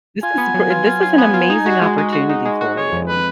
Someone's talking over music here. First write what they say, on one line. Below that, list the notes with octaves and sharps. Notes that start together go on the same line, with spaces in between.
this is gr this is an amazing opportunity for you
F4 G#5
B3
F#3
F4
F4
F4
B3
F4
D#4
F#4
G#3
G#3
F#4
D#4
G#3
F#4
G#3 C#5
F2
B4